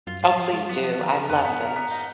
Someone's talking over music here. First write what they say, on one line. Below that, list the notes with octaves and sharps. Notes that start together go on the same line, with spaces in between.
Oh, please do, I love this.
F#2 F4
G#2 F4
F3 F4
G#3 F4
F#3 B3
F3 B3
D#3 A#4
C#3 A#4
F2 B3
G#2 B3
A#4
B3
D#4